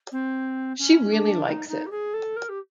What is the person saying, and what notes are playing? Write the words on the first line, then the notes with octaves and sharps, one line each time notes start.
She really likes it.
C4
C#4
D4
D#4
D#4
G4
G#4
A4
A#4
G4